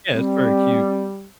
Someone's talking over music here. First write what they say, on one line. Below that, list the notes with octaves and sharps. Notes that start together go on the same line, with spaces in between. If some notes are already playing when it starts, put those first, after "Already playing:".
Yeah, it's very cute.
G3 C4